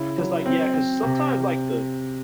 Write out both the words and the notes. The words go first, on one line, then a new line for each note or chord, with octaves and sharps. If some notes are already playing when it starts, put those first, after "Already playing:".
'cause, like, yeah, 'cause sometimes, like, the
Already playing: C#3 E4
F#3
C4
C4
C3